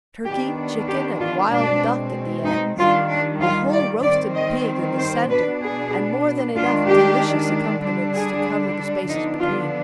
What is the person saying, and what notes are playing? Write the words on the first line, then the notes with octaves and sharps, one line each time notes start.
Turkey, chicken, and wild duck, at the ends; a whole roasted pig in the centre, and more than enough delicious accompaniments to cover the spaces between.
D#3 B3 D4 G4
G4
F4
B2 G#3 C4 D4
D#4
D#3 G3 D4 F4
D4
F4
D5
D#3 G3 C4 D5
D#5
C5
B2 B3 D4 B4
G#4
D#3 G#3 D4 F4
G4
D3 G3 D4
G#4
D3 F3 B3 D4 D#4
F4